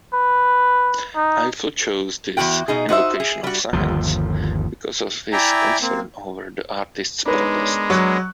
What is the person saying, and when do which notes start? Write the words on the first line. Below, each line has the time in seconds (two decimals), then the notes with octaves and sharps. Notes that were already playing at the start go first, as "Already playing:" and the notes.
Eiffel chose this "invocation of science" because of his concern over the artists' protest.
0.13 B4
1.16 D#4
2.37 E2 F3 F#4 F#5 G5
2.68 B2 D#4 G#4
2.89 D#4 F#4 C5 E5
3.20 G#4
3.44 G3 F#4
3.73 G1 D#2 F3
5.33 E4 D5 E5 G5 G#5 A#5
5.82 A#3 C4
7.25 G#3 B3 D4 D#4 A#4 B4 C#5
7.90 F#3 C#6 F#6